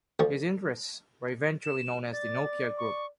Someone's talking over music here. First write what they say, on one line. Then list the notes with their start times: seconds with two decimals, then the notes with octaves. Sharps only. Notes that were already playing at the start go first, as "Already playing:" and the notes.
His interests were eventually known as the Nokia group.
0.19 D2 F3 C#6
1.64 E7
2.13 D5 A6
2.78 C#6